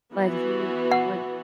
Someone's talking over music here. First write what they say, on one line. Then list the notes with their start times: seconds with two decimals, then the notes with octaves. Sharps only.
But he would
0.14 E3 B3 F#4
0.92 F#5